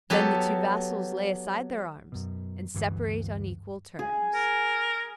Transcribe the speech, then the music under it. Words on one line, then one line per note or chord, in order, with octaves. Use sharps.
Then the two vassals lay aside their arms and separate on equal terms.
F#3 B3 G4 A4
F#2 B2
D2 G2 E3
G#4
A#4